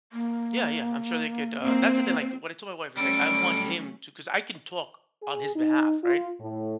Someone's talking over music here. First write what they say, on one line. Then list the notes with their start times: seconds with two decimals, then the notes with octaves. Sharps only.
Yeah, yeah, I'm sure they could, uh that's the thing, like what I told my wife is, like, I want him to 'cause I can talk on his behalf, right,
0.12 A#3
1.64 A#3 C4
2.97 F#3 G3 A3 C#4 A4 D7
5.23 G#4
5.55 D#4
6.03 F4
6.40 A2